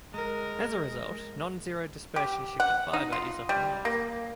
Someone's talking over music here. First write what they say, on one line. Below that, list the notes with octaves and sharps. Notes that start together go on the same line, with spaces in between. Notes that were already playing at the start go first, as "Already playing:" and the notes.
As a result, nonzero dispersion shifted fiber is often used.
G#3 A#4
G4
F#5
D#4
F4
G3
A#3